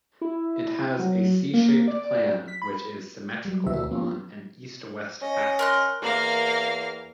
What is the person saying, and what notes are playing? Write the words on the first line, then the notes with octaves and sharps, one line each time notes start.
It has a C-shaped plan which is symmetrical on an east-west axis.
E4
F#3
A#3
D5
B6
B5
F#3 G3
D2 B2 D#3 E4 F#4 E5
F3 A#3 B3 C#4 F4
C#4 D#5
A#4 C6 F#6
E2 A#3 F5